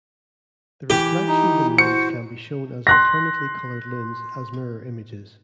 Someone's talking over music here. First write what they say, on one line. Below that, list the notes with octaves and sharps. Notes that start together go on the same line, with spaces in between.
The reflection domains can be shown as alternately colored lunes as mirror images.
E3 G4
D#4
F#4 C5 C#7
C6 F#6 A#6